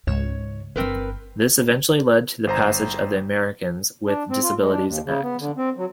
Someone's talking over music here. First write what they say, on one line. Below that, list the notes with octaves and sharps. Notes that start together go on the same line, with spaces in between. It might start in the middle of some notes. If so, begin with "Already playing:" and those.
This eventually led to the passage of the Americans with Disabilities Act.
C#2 G#2 C#5 E7
G1 C4 A#4 B4
G1 C5 A#5
D4
C4
F4
G#3
D4
D#2
C#3
B3
D3
C4
F#3